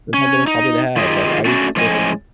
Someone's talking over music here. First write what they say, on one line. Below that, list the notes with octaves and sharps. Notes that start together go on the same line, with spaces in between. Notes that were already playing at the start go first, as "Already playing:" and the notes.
that's not the best hobby to have. Like, I used to
C#4
D#4
D#3 F4 G4 G#4 D#5
A3 C#4 D4 F4 F#4
A2 F3 G#3 C#4 D#5 G#5